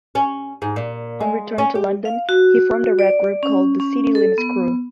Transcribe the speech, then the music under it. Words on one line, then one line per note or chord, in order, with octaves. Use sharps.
On return to London, he formed a rap group called the City Limits Crew.
C#4
G#2
A#2
G#3
C#4
G4
F5
F#4
D5
C#4
C#4
A4
B3